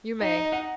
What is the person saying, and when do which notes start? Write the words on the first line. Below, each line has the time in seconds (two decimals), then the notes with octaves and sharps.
"You may."
0.21 D#4 D#5
0.36 D#5
0.52 F#5